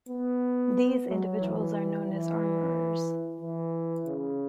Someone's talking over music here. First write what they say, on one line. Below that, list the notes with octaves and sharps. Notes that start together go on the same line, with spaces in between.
These individuals are known as armorers.
B3
F#3
E3
E3
E3
C#3